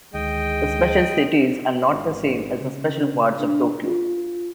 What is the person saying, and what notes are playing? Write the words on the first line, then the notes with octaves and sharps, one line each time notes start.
The special cities are not the same as the special wards of Tokyo.
D2 D#3 G#3 D#5 G5
G#1
C#3
D4
F4